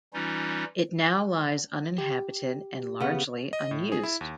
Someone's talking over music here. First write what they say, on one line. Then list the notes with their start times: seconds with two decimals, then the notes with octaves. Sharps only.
It now lies uninhabited and largely unused.
0.13 E3 G3 C#4 D#4 F4
1.98 G4
3.00 C#3 B3
3.53 D#5
3.71 A2
3.92 G#4
4.03 E4
4.21 D#2